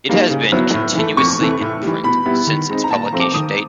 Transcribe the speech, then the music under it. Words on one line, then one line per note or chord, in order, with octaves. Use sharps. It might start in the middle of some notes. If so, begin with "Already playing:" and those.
It has been continuously in print since its publication date.
G3 A#3 D#4
C#3
F#3 B3 E4
A2
E3 A3
F2 C#6
C3 E3 A3
A2
E3 G3
B2 B5
G3 B3 E4
D#3
G#3 C4 D#4
A#5
A#2 A5
A#5
F3 A3 C4
D6
D#3 D#6